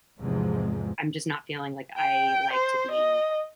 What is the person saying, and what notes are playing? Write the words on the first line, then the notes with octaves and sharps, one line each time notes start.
I'm just not feeling, like, I, like, to be
E2 G#2 C3 F3 G#3
G5
C5
D#5